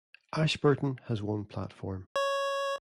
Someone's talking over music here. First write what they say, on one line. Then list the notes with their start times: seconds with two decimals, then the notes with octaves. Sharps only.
Ashburton has one platform.
2.16 C#5